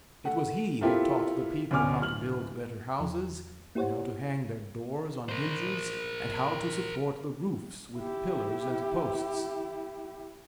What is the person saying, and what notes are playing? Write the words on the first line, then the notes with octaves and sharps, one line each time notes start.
It was he who taught the people how to build better houses and how to hang their doors on hinges and how to support the roofs with pillars and posts.
A3 F#5
C4 E4 F4 G4 A4 A#4
D2 B2 C#4 G#5 D6 F6
D1 F6 F#7
E2 F3
A#3 E4 G4 C5 C#5 F#5
A#4 C5
E4 G4